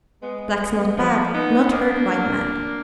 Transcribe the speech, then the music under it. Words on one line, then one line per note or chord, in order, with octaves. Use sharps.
Blacks not bad, not hurt white man.
G#3 B3
G#3 B3
F3
B3 D#4
A#3 D4